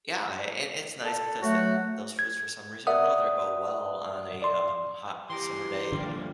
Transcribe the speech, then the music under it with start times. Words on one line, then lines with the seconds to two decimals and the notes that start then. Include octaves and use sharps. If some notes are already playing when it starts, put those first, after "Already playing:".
yeah, and i it's nice because that those foods for some reason or another go well on a, um, hot summer day, you know?
1.05 A4
1.41 F#3 A3 F#4
2.19 G#6
2.87 A#4 D5 E5 F#5 D#6
4.42 D5 C6
5.29 E3 G4 A#4 C6
5.92 D3 F3 G3 A#3